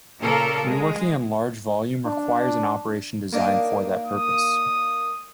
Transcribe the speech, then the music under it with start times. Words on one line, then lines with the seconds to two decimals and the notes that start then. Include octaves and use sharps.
Reworking in large volume requires an operation designed for that purpose.
0.20 A#2 C#3 A#3 A4 A#4
0.64 G#3
2.05 D4
3.33 A#3 D4 D#4
4.07 D#6